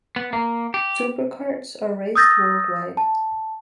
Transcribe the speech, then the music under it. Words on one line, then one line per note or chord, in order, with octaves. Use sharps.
Superkarts are raced worldwide.
B3
A#3
G4
D#6 E6 G6 A6 A#6
A5